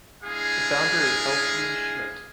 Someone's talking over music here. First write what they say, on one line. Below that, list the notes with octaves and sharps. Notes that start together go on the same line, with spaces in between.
The founder is Helfried Schmidt.
G#3 D4 E4 G#4 F5 G#5